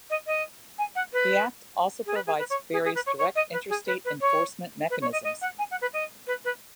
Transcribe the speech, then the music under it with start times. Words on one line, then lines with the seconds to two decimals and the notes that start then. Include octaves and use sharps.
The Act also provides various direct interstate enforcement mechanisms.
0.10 D#5
0.27 D#5
0.78 G#5
0.96 F#5
1.13 B4
2.06 G#4
2.16 B4
2.26 G#4
2.38 B4
2.50 C#5
2.73 G#4
2.85 G#4
2.95 B4
3.06 C#5
3.18 C#5
3.36 D#5
3.52 B4
3.69 G#4
3.87 B4
4.05 B4
4.21 C#5
4.90 B4
5.02 C#5
5.13 D#5
5.24 D#5
5.42 F#5
5.59 G#5
5.71 F#5
5.81 B4
5.93 D#5
6.27 B4
6.45 B4